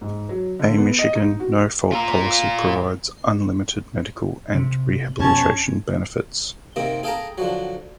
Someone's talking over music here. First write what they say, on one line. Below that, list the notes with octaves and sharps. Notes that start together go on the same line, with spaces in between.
A Michigan no-fault policy provides unlimited medical and rehabilitation benefits.
G#2
F#3
D3
B3
D#5
D#4
F#4
F4 A#4
C3
F2 B2 C#4 A5 G#6
C3 D#3 A#3 C4
G#4 A4 F5 G5 A5 A#5
D3 F3 F#3